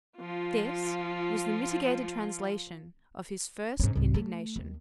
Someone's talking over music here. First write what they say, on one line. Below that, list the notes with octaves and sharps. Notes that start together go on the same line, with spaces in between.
This was the mitigated translation of his first indignation.
F3 F4
G#2 C#4
C2 G#2
A3
D#2